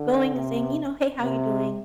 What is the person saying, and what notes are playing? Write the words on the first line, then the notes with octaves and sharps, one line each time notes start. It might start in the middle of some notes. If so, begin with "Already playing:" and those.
going and saying, you know, "Hey, how you doing?"
Already playing: D3
C3
C3